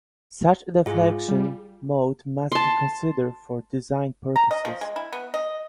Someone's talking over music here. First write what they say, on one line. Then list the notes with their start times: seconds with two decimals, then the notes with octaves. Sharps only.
Such a deflection mode must be considered for design purposes.
0.86 G#2 F4 G#4
1.28 G3
2.52 A5 C6
4.36 A#5
4.51 D#5
4.65 F3
4.81 G#3
4.96 E4
5.12 B3
5.34 D#5